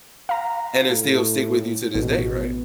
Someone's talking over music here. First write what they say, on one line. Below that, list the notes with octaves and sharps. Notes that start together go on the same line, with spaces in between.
And it still stick with you to this day, right?
F5 A#5
A2
A1 B2